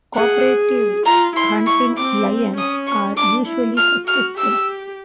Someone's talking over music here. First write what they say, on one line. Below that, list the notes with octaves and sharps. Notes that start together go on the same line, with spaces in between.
Cooperative-hunting lions are usually successful.
G#4 F#5
F4 A#5
E4 C6
C#6
C4 D6
C#4 D#6
C#6
D4 D6
E4
F4 F6
F#4 F6
G4 E6